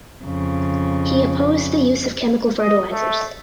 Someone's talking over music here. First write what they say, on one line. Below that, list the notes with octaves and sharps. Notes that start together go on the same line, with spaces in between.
He opposed the use of chemical fertilizers.
F2 C#3
D#5
A3